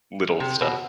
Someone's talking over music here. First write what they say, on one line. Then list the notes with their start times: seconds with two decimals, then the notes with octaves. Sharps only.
little stuff.
0.40 C3
0.61 B2